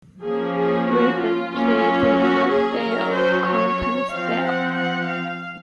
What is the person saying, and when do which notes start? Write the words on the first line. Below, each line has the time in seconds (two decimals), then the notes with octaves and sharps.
Rabin played in a bel canto style.
0.24 F3 A#3 C#4 G#4
0.57 G#4
0.89 F#4
1.21 F4
1.54 F#3 A#3 C#4
2.18 F#4
2.50 G#4
2.82 F#3 C#4 A#4
3.14 C5
3.47 C#5
4.12 F3 C4 F5
4.44 F#5
4.76 F#5
5.08 F5